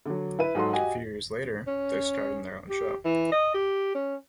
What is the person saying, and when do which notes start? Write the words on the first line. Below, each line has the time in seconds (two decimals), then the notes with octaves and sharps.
A few years later, they starred in their own show.
0.06 D3 F#3
0.39 E4 B4 D#7
0.55 G#2 F#3 F#4 A4 F#5 C6
0.73 F#4 G4 D#5 F#5 G#5
1.67 C#4
2.69 G4
3.05 E3
3.32 D#5
3.54 G4
3.95 C#4